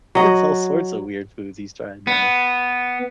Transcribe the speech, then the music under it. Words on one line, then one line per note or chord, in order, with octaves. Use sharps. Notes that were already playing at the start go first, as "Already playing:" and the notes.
it's all sorts of weird foods he's trying now.
F#3 D#5
B3